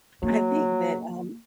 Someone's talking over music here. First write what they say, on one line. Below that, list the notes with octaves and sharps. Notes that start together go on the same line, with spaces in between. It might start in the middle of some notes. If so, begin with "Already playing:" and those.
I think that, um
F#3 A#3